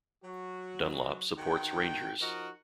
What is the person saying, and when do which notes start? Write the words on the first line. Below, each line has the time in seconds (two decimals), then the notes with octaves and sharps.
Dunlop supports Rangers.
0.24 F#3 F#4
1.38 D#3 F#4 G5
2.20 F3 D#4 F#4 A#4 D#5